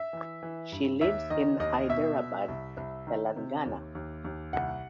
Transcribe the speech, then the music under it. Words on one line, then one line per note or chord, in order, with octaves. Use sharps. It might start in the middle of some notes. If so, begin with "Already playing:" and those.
She lives in Hyderabad, Telangana.
Already playing: E5
E3
E3
G2
D#2 E5
D#3 D#5
D#2 D#5
B2 E5
B2
C2
C2
D#3
C3
D#2
D#2
D#2
C2 F#5